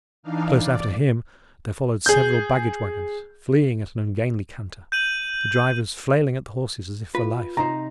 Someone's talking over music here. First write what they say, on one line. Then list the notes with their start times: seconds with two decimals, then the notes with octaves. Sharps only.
Close after him there followed several baggage-waggons, fleeing at an ungainly canter, the drivers flailing at the horses as if for life.
0.23 E3 D4 D#4 F5
0.61 D5
2.06 G#4 G6
4.92 G6 D#7 F#7
7.15 F4 B4
7.57 C3 D#4 C5 A#5